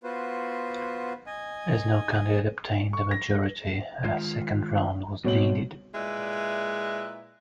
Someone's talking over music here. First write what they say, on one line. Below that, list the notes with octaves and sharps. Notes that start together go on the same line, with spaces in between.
As no candidate obtained a majority a second round was needed.
B3 F4 F#4 B4 C5
D#5 G#5
C#6
A#6
D#3 G#3 F4
B2 G3 C4 C#5 F#7
A#2 G#3 E4 B4 D5 E5